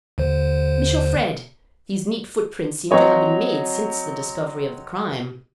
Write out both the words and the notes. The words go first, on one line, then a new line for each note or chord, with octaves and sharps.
"Monsieur Fred, these neat footprints seem to have been made since the discovery of the crime."
D#2 D3 C5
F#3 C4 C#5 D#5